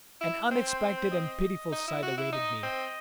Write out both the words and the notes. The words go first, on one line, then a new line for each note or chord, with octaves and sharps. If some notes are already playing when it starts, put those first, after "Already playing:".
An unexpected and pitiful sight awaited me.
E4
C4 C5
C5
C5
D#5
D#4
E4
F#4
E4
D#4 D#5
C4